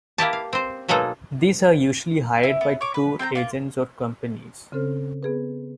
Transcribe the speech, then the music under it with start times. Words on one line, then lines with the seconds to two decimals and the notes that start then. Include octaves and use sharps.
These are usually hired by tour agents or companies.
0.18 A#3 E4 G4 A5
0.33 F5
0.53 C4 C5
0.88 B2 F#3 G#3 A#3 D#4 A4
2.43 E4
2.61 B3
2.81 C#5 D6
2.94 B4
3.19 C4 G5 A5 A#5
3.35 A#3 F4
4.72 C#3 C4 C#4 A4 C5 F6
5.23 B3 G#4 B4